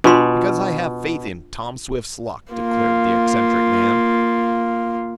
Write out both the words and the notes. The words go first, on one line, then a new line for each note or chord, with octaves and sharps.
"Because I have faith in Tom Swift's luck!" declared the eccentric man.
B2 D4 F4 C6
A#3 F4